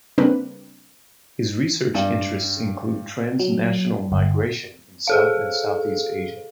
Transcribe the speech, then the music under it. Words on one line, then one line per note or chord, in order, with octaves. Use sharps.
His research interests include transnational migration in South and Southeast Asia.
C#3 G3 A#3 C4 D4 B4
G2
F#3
G1
G#4 A4 F5